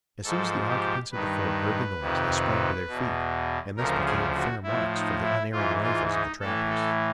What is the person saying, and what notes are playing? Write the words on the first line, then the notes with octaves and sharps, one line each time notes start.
As soon as the occupants of the fort heard the noise they sprang to their feet, and thus became fair marks for the unerring rifles of the trappers.
G#2 F3 A4
G4
G2 D#3 B4
F2 C3 D#3
E2 B2
D2 C#3 F3 A#4
G#4
F#4
A2 F3 E4
D#4
E4
G#2 E3 F4
F4
D#4
A2 E3 A4
A4